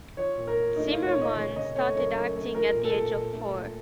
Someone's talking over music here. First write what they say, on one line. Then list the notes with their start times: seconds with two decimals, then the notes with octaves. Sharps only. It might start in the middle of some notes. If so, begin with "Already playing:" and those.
Zimmerman started acting at the age of four.
0.17 F3 C#5
0.38 A#2
0.47 A#4
0.58 F3
0.76 A3 D#4
0.91 A3 F4
1.07 C#5
1.16 A#2
1.22 D#5
1.36 C#3 C#5
1.56 C#3 D#5
1.75 A3 C#5
1.95 F#2 C#5
2.15 F#2
2.35 A3
2.55 F3 A#4
2.74 A#2
2.85 A4
2.93 A#2
3.14 A#2
3.33 A3
3.53 A#2